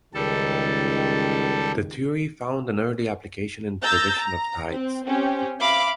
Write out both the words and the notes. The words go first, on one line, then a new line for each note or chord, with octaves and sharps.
The theory found an early application in prediction of tides.
C#2 D#3 G3 A4
A#5 E6 G6 A6
A#5
C4
C4 C#4 G4
E5 F5 B5 D6